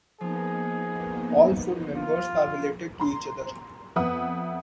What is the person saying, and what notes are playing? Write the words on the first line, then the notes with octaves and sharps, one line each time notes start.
All four members are related to each other.
F3 A#3 B3 D#4 G#4
F4
A#5 C6
F2 B3 E5 F#5 D#6